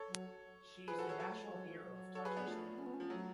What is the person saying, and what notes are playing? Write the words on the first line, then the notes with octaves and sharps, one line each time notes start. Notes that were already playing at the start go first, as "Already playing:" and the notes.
She is the national hero of Tatarstan.
Already playing: A4 C#5
F#3
F3 G#4 B4
F#4 A4
A4 C#5
F#3 A4 C#5
A3
G#3
F#3
F3
F#3
A4 C#5
G#4 B4
B3 D4
F3 A3
C#4
B3
C#4
F3
F#3 A3